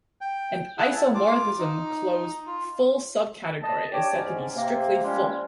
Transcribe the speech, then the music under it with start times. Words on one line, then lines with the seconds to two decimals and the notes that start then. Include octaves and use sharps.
An isomorphism-closed full subcategory is said to be strictly full.
0.21 G5
0.78 E4 G#4 E5 F#5
0.94 A5
1.15 F4 D6
1.59 D#4
2.47 F4
3.63 D#5 A5
3.92 D4 G4 C#5 D6
4.13 G#2 C#4
4.55 C3 A#3
5.04 F3 G3 G#3 C#4